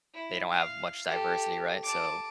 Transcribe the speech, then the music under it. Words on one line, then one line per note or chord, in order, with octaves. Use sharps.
they don't have much diversity, right? So
E4
F5
G4 A4
A5 D6